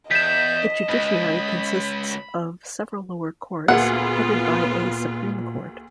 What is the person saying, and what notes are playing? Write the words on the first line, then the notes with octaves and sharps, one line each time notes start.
The judiciary consists of several lower courts headed by a Supreme Court.
E2 D#5 G6 B6 E7
C#2 G#2 B5
D2 A#2 A#3 B3 F4 G#4 B4 F#5